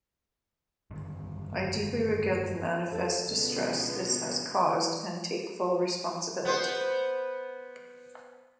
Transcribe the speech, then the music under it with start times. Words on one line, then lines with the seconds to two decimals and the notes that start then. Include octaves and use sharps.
I deeply regret the manifest distress this has caused and take full responsibility.
0.91 G2 D3 D#3 G3
2.92 A4 D5
3.27 C#2 B2 D3 B3
4.63 E3
6.45 B3 C5